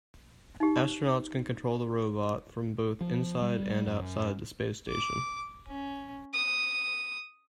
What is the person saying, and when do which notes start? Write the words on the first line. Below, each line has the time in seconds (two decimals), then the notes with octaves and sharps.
Astronauts can control the robot from both inside and outside the space station.
0.60 D#4 G4
3.01 F3
3.42 G3
3.87 F#2
4.89 D6
5.67 C#4
6.34 D#6